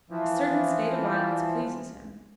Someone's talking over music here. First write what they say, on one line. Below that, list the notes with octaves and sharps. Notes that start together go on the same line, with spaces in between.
A certain state of violence pleases him.
E3 F3